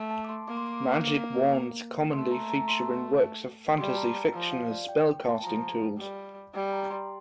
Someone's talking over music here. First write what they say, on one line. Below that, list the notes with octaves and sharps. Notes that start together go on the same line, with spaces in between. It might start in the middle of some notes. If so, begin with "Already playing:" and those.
Magic wands commonly feature in works of fantasy fiction as spell-casting tools.
Already playing: A3
A5
D6
C6
A#3 D6
C6
D6
A3 C6
A#5
A#5
C6
G3 C6
A5
A#5
F3
F5
D5
G5
G5
A5
F3 A#5
G3
G3
A#5
C6